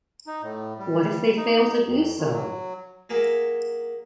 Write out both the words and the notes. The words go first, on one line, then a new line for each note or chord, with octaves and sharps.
What if they fail to do so?
D#4
A2
G3
D#4
F2
D#3
F#3
F#3 A#3 G#4 E5